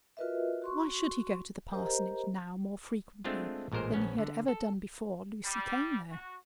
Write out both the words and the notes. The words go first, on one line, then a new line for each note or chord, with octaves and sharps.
Why should he go to the parsonage now more frequently than he had ever done before Lucy came there?
F4 F#4 A#4 B4 D#5 E5
F#4 C6 C#6
G4 A#4 C5 D#5 A#5
G#3 A3 C4 D4 F4
A1 A#2 G#3 A#4 C5
A#1 B3 C#4
D3
A4
G3
F#4